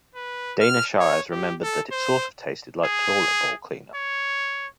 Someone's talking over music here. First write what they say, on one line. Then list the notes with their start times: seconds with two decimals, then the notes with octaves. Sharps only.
Dana Shires remembered that it sort of tasted like toilet bowl cleaner.
0.15 B4
0.60 F6
1.00 C#5
1.32 G4
1.63 A4
1.92 C5
2.85 G#4
3.94 C#5